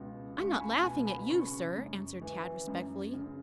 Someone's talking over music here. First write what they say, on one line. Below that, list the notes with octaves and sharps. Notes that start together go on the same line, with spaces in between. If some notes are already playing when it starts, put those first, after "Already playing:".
"I am not laughing at you, sir," answered Tad respectfully.
Already playing: C#2 B2
C#2 C#6
G#5
B5
B2 G#5
G#5
B5
C#3 C#6
F#2
E3
F#2
C#3